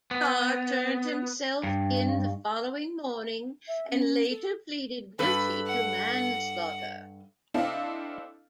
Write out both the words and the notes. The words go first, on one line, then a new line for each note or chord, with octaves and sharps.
Carr turned himself in the following morning and later pleaded guilty to manslaughter.
B3
G2
E5
C#4
A4
G2 A4 B4 B5
F#5
C4 D4 E4 A4 D#5 F5